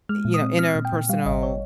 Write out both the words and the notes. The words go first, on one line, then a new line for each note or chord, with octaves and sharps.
you know, interpersonal
G#3 F6
A#2
D#6
C4
C4 F6
A#2
G5
A#2
G3 F5
G#1 D#5
C#5